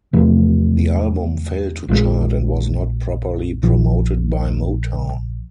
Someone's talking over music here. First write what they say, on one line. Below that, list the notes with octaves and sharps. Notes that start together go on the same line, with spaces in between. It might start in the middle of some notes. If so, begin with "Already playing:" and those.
The album failed to chart and was not properly promoted by Motown.
E2 C3 F3 A3
A#1 A#2 F3 G#3
A#1 A#2 F3